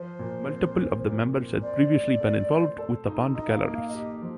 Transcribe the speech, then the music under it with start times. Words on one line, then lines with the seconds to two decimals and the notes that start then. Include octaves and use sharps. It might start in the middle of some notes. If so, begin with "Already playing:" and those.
Multiple of the members had previously been involved with the band Galleries.
Already playing: F3 C5
0.19 A#2
0.48 C4
0.77 A#2
1.06 A#2
1.34 C4
1.62 C5 D5
1.92 A3
2.20 A3
2.49 C5
2.78 A4
3.07 D#4
3.35 D#4 D#5
3.49 F5
3.63 A#3 D#5
3.75 F5
3.89 G4 D#5
4.22 F3